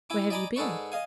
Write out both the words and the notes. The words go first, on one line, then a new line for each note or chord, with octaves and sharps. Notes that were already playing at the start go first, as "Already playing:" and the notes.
Where have you been?'
E4 G#5 D6
D5 D#5 G#5 A#5 B5 D6
G#2 G#4 A4 B4 D5 C#6
D#5 F5 G#5